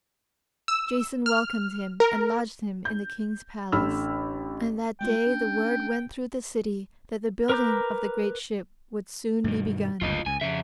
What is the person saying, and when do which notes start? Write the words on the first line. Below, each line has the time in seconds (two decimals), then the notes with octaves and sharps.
Jason welcomed him and lodged him in the king's palace, and that day the word went through the city that the building of the great ship would soon be begun.
0.68 E6
1.26 F6
2.00 A#4
2.85 G6
3.72 A1 D3 B5 E6 F6
5.01 G#3 A3 F4 G5
5.27 C#4 D4
7.49 A#4 B4 A#5 D6 G6
9.44 G2 B2 D#3
10.01 F#1 D2 G2 F4 D#5
10.26 C#2 G#5
10.41 F2 C#3 E5